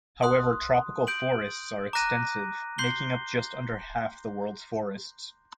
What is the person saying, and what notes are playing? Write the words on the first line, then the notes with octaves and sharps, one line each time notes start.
However Tropical Forests are extensive, making up just under half the world's forests.
C6 D#6 F#6
G6 D7 F#7
A#5 D6 F#6 A#6 D#7
C6 G6 C7 G7